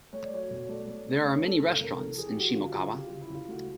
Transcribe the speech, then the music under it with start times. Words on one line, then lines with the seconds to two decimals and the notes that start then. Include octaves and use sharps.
There are many restaurants in Shimokawa.
0.13 A3 C#5
0.24 D5
0.32 F#3 C#5
0.51 B2
0.69 A3 D5
0.87 A3
1.07 A3
1.25 A3 C#5
1.44 A3 A4
1.62 A2 A4
1.81 C3 A#4
1.99 E3 A4
2.18 E3 G#4
2.27 G4
2.37 F3 F#4
2.55 D3 F4
2.74 D3 F4
2.92 C#3 G4
3.07 C#3 F4
3.21 E4
3.30 C#3 F4
3.48 A3 F#4